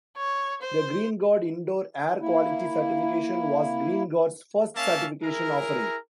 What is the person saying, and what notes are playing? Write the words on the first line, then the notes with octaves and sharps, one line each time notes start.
The Greenguard Indoor Air Quality Certification was Greenguard's first certification offering.
C#5
C5
A#3 E4
A#3 C#4 E5 F5 A5
E4 G#4 A#4